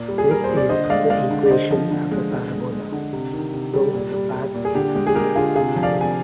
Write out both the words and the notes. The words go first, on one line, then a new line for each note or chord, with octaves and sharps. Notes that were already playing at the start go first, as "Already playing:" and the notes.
This is the equation of a parabola, so the path is parabolic.
Already playing: A#2
G3
G#4
G3 A#4
A#2 C5
D5
D3 C5 D#5
D#5
G#3 D5 F5
G#3 D5 F5
D3
D5
D3 C5 D#5
F3
D3
G#3
D3
G#3
G#3
D3
C3
D#3
C3
G3
A#2
G3
G3
A#2
G#4
D3 G4
G#3 G4
G#4
G#3 G4 A#4
D3 F4 G#4
C3 F4 G#4
F3
D5 F5
C3 G#5